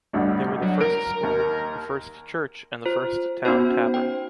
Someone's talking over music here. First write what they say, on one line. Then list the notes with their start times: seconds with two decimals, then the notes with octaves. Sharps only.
There were the first school, the first church and the first town tavern.
0.13 A1 D2 G2
0.62 F#3
0.81 A#4 D7
1.23 D#2
2.85 F4 C5
3.45 B3 C#4 D#4 F#4 C5
3.94 C5 G5